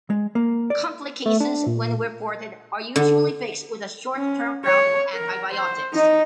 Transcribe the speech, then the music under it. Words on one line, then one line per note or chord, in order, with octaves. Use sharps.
Complications, when reported, are usually fixed with a short-term round of antibiotics.
G#3
A#3
D5
A3
D4
A#2
D3
C#4
C#5
A#4
C5
D#4